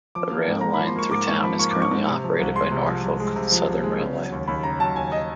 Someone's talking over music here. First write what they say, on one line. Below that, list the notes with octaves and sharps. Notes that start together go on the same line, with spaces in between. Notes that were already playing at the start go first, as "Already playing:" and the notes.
The rail line through town is currently operated by Norfolk Southern Railway.
F3 D6
A#3
G#2
G#2 A#5
B5
F3
C6
A#3 C#6
G#2 D6
G#2 C#6
F3 B5
A#3 C#6
G#2 D6
C#6
G#2
C3
F3
C2
G#3 C6
C3
F3
C2
G#3
C3
F3
C2
G#3
C#3
F#3
D#2
D#2 B5
C#3 A#5
F#3 A5
D#2 G#5
D#5